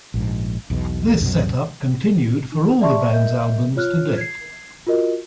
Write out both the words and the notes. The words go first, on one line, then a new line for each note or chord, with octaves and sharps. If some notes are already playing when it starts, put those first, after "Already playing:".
This set-up continued for all the band's albums to date.
A#1 G#2
B1 E2 B2
C2 F#2 B2 F#3
D#4
D5 E5 A5 C6 C#6
A#4 D#5 E5 G6
F4 C#5 F6 F#6
G#6 C7
F4 F#4 A#4 D#5